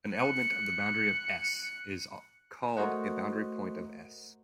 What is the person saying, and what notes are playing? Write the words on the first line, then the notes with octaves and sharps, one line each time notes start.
An element of the boundary of "S" is called a boundary point of "S".
F#6 C#7
A3 F#4 A#4 C5 D#5 F#5